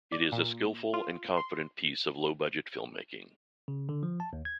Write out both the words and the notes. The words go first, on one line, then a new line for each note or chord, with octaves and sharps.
It is a skilful and confident piece of low budget filmmaking.
D5
A#2
F4
C6
C#3
D3
F3
A5
D#2
G#6